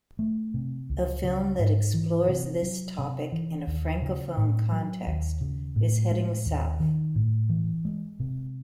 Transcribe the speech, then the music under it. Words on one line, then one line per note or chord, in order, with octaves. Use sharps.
A film that explores this topic in a Francophone context is "Heading South".
A3
C3
C#2
C#3
G#2
E3
C3
F#3
C3
E3
D#2
C#3
A2
F#3
D#2
C#3
A2
G#3
D#2
D#3
A2
E3
G#3
C3